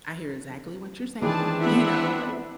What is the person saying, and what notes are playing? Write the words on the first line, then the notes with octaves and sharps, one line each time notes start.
I hear exactly what you're saying," you know, like,
D#3 E3 G#3 C4 D4 G#4 B4 A5
B3 E4 E5 F#5